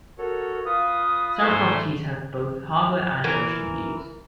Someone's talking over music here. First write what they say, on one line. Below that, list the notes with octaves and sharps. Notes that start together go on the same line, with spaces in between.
Some properties have both harbour and ocean views.
F#4 A4 A#4 C#5
F4 B4 F5 D#6
G#2 A3 D4 E4 A4 C5
E3 A#4